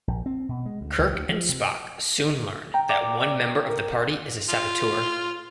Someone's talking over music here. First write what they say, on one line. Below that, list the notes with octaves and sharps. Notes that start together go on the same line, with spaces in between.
Kirk and Spock soon learn that one member of the party is a saboteur.
A#1
C4
B2
G#3
D2
C#2
D2
F3
C3
G5 A#5
D5 D6
A#4
F4